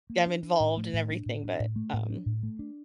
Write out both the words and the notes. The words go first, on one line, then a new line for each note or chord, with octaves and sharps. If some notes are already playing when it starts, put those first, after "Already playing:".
them involved and everything, but, um
A#3
D4
D4
A2
A3
A2
D4
A2
D4
A2
A3
A2
D4
A2
A3
D4